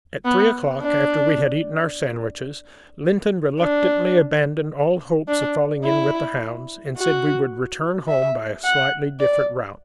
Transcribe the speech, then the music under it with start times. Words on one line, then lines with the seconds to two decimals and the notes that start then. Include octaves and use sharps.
At three o'clock, after we had eaten our sandwiches, Lynton reluctantly abandoned all hopes of falling in with the hounds, and said we would return home by a slightly different route.
0.25 B3
0.81 D4
3.60 D4
5.28 D4
5.84 E4
6.97 F#4
8.08 E5
8.64 F#5
9.20 D5